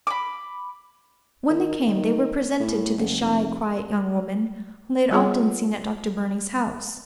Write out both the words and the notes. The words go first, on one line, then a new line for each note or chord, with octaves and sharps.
When they came they were presented to the shy, quiet young woman whom they had often seen at Dr. Burney's house.
B5 D6
D#3
D#3
A2
F#1
F1
G3 B3 F4 G#4 C#5 F#5